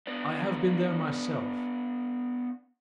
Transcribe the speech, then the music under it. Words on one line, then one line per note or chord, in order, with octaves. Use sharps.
I have been there myself.
B3 D4